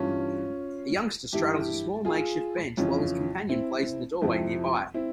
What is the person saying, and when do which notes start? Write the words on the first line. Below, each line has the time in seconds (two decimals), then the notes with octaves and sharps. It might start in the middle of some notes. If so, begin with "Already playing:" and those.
A youngster straddles a small makeshift bench while his companion plays in the doorway nearby.
Already playing: G2 E3 C#4 F4
1.33 G2 E3 E4 G4
2.05 F4 G#4
2.77 F2 C#3 E3 C#4 F4
3.49 C4 E4
4.22 F2 C3 F3 C4 E4
4.94 C4 E4